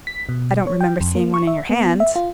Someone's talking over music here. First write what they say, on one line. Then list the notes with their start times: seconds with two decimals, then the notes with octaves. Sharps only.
"I don't remember seeing one in your hand."
0.07 B6
0.29 B2
0.67 C#5
0.81 G5
1.01 F2
1.15 A#3
1.34 C#6
1.47 E5
1.69 B3
2.00 E5
2.16 F4